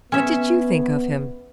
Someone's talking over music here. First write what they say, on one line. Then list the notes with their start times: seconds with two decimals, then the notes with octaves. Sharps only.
What did you think of him?'
0.12 B3 C#4 E5